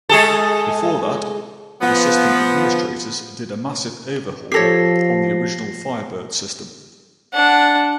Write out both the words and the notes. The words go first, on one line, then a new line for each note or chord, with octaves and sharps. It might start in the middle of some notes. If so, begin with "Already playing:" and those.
Before that, the system administrators did a massive overhaul on the original Firebird system.
G#3 G#4 A4
F3 B3
F3 G4 A4 C#5 A#6 C7
D4 F#5